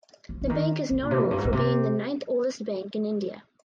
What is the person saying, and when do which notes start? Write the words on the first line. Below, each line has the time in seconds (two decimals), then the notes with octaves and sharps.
The bank is notable for being the ninth oldest bank in India.
0.29 F3
0.42 D3
0.50 D#3
0.91 D3
1.03 A#2
1.11 C3
1.23 F2
1.31 G2
1.38 G#2
1.45 A#2
1.52 C3